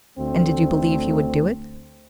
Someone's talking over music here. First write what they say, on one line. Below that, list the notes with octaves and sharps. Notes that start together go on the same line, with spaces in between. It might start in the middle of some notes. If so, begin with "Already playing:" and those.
"And did you believe he would do it?"
D2 A3 C4